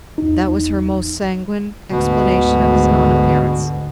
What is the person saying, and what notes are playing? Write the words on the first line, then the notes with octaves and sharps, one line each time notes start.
That was her most sanguine explanation of his non-appearance.
E2 D#4
D2 G#2 B2